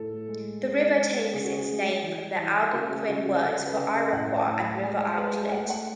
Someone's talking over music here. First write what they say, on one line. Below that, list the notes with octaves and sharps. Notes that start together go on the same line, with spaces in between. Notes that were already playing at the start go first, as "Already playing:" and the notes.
The river takes its name from the Algonquin words for "Iroquois" and "river outlet".
Already playing: A2 A4
G#3
G#3
G#3
C#3 G#4
F#4
G#4
G#3
E3
E3
C#3 F#4
G#4
C#3 F#4
F#4
C#3 A4
B4
C#3
D#5
A2 F#5
A5
A2
B5
G#3 G#5
G#5
G#3 B4
G#4
G#5
A3 F#5
F#5